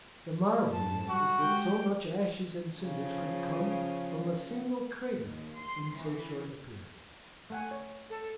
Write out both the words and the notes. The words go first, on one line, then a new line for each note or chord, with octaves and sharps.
The marvel was that so much ashes and cinders could come from a single crater in so short a period.
F#2 A5
G3 F#4
G#3 G4 G5
C#3 F3
D#2
C6
E3
A3 F#5 G#5
C#5
A4